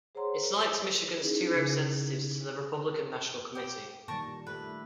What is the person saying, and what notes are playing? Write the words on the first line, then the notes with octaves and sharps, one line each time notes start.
It selects Michigan's two representatives to the Republican National Committee.
G#4 C5 C#5 F#5 A#5 C6
C#4 D#4 E4 G#4
C#3
G4
A#2 D#3 G3 A#4 A5 C#6
A3 G4 A4 B4